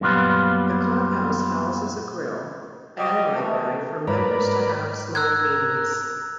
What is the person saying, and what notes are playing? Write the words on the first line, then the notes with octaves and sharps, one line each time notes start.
The Clubhouse houses a grill, and library for members to have small meetings.
F#2 A#2 F3 G3 B3 F4
F3 G3 F#4 D#5
C3 D#3 E3 A3
G#2 A#4 B4 C#5 D5
A#4 E6 F#6 G#6